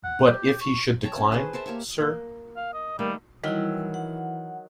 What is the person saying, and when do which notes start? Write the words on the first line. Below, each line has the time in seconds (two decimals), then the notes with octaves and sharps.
But if he should decline, sir?
0.04 F#5
0.26 G4
0.61 C#6
1.03 C#5 G5 A5 A#5
1.17 C#4
1.32 G#4 A4 B4 C5
1.53 A#4 C5 E5 A5
1.66 A#3 G4 C#5 E5
2.01 A#3
2.56 F5
2.74 D#5
2.99 D#3 G3 A3 A#3
3.44 D#3 E3 F#3 G3 E4 E6
3.94 F#5